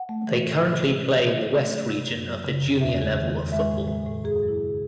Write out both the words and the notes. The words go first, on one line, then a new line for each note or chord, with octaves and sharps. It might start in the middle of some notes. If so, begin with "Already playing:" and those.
They currently play in the West Region of the Junior level of football.
Already playing: F#5
A3
E3
A2
C3
G#3
E3
C3
C3
A3
F#3
C3
F#2
F#3
C#3
F#2
E2 E5
G#3
D#3
E2
G#3 E5
A2
G#3
A2
F#2 G#4
F#3
E4
C#3